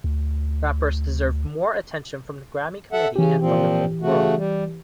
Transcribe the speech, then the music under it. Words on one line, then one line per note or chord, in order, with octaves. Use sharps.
Rappers deserve more attention from the Grammy committee and from the whole world.
D2
A4 E5 F#5
C#3 E3 C#4 G4
A#2 F3 C4
C#3 A3 F#4
G3